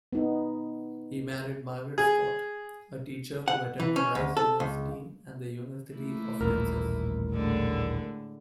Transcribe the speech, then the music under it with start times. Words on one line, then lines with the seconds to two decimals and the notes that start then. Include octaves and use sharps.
He married Margaret Scott-a teacher who attended Rice University and The University of Texas.
0.13 B3 D#4
1.98 G#4
3.48 F#5
3.80 E3
3.96 C#4
4.15 D2
4.37 A4
4.60 C#2
5.93 A3 A#3 E4
6.41 D#1 A1 A#4
7.32 A2 D3 G#3